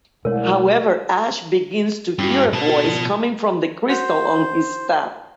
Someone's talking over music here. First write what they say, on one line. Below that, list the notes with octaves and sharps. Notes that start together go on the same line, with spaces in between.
However, Ash begins to hear a voice coming from the crystal on his staff.
C2 B2 G#3 A3 A#4 C#5
G2 C#4 E4 F#4
B2 A5
F#4 A4
F3
F#4 C5